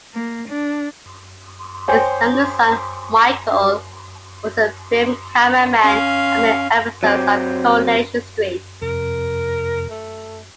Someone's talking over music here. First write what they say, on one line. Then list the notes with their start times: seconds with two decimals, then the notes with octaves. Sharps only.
His youngest son, Michael, was a film cameraman on many episodes of "Coronation Street".
0.14 A#3
0.49 D4
1.88 C5 C#5 G5 G#5
5.81 C#4 F5
7.03 F#3 C4 G4
8.82 F2 C3 A#4
9.90 A3